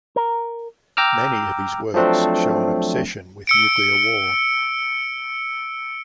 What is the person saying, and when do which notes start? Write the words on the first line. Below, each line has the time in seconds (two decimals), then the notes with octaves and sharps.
Many of his works show an obsession with nuclear war.
0.16 A#4
0.97 G5 A#5 D6 E6 F6
1.94 F3 F#3 A3 C4 D4
3.47 E6 C#7 D7